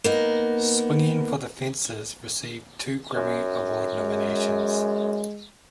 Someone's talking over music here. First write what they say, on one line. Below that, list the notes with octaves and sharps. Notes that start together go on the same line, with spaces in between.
"Swingin' for the Fences" received two Grammy Award nominations.
A#3 B3 D#4
F#2
G#3